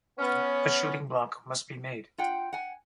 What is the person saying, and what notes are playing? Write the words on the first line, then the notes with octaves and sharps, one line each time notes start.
A shooting-block must be made.
B3 C#4
F4 F#5 G5
F#5 G#5